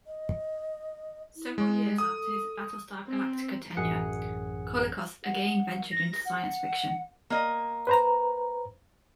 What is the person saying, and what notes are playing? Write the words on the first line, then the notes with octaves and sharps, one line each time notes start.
Several years after his "Battlestar Galactica" tenure, Colicos again ventured into science fiction.
D#5
E4
G#3
A4 D#6
C4
A1 F#2 G#4 F#5 C#7
F#5
A#6
F#5
A#3 D#5
B4 C5 A#5